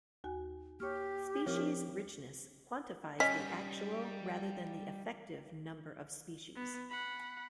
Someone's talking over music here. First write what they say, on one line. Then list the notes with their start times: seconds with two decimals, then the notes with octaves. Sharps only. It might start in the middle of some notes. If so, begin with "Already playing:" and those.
Species richness quantifies the actual rather than effective number of species.
0.24 D#2 F#4 G#5
0.80 A#3 G4 C#5 C#6 F6
1.46 F3 C4 E4 A#4 C#5 F6
3.20 G3 C#4 D#4 D#5 B6
6.55 B3
6.90 F#5 B5